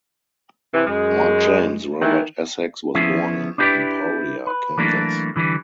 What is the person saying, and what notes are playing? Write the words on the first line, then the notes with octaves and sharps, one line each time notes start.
Mark James Robert Essex was born in Emporia, Kansas.
C3 E3
F#2 G#3
D#3 E3
F3 B3 C#4 E4 G#4 E5
D4 E4 G4 A#4 B4 D5
B4
E3 F#3 A3 A#3 D4
D3 E3 G3